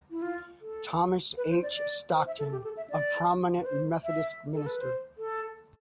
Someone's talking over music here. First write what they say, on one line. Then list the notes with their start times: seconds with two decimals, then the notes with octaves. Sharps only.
Thomas H. Stockton, a prominent Methodist minister.
0.11 E4
0.22 F4
0.61 A4
1.37 B4
1.50 C5
1.63 D5
1.75 D5
2.14 C5
2.27 E5
2.39 A4
2.52 G4
2.64 A4
2.77 E5
2.90 D5
3.61 B4
3.66 C5
4.04 E5
4.54 A4
4.66 B4
4.80 C5
5.18 A4